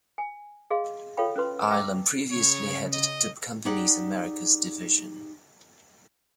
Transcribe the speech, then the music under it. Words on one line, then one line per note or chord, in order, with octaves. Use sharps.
Eilam previously headed the company's Americas division.
G#5
G#4 D#5 F5 C6
F4 A4 C#5 F5 G5 B5
C#4 E4 B4 C6
E5 G5 A5 A#5 D6 E6
C#3 C#5
D#5
D#4 G4 G#4 D5 F#5